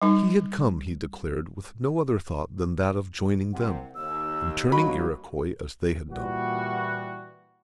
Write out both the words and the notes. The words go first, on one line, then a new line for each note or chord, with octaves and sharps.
He had come, he declared, with no other thought than that of joining them, and turning Iroquois, as they had done.
G3 D#4
C2 C3 F#5
D#2 E6
G2 F#3 A#3 F#4 D#5 B5
A#2 E3 G3 F#4